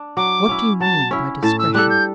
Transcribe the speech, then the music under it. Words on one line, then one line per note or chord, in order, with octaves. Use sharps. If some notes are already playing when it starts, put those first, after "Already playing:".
"What do you mean by discretion?"
Already playing: D4
F#3 D6
C#4 E4
F#3 A5
C#4 E4
A2 A5
E6
G3 D4 A4 F#6
G6